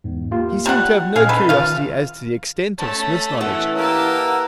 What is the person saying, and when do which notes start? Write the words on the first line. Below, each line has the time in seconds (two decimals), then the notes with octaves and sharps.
He seemed to have no curiosity as to the extent of Psmith's knowledge.
0.04 E2 G#2
0.31 A#3 F4 G4
0.66 G3 A#4 F#5
1.16 A#2 C#4 G#4 D#5 F5
1.29 A4 B4
1.49 D#3 F4 F5
2.78 A3 C#4 A5
3.41 E3 F#5
3.76 A#3 G4 A#4 A5 E6